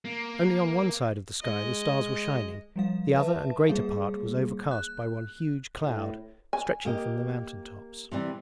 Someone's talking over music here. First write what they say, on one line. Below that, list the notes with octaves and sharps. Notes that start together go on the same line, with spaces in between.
Only on one side of the sky the stars were shining, the other and greater part was overcast by one huge cloud stretching from the mountaintops.
A#3
G#3 D#5
F3 G3 F5
B4 E5 A5
G3 A#3 G#4 F5
F#6
A2
G#5
A#3 G4 D#5
C3 E3 G3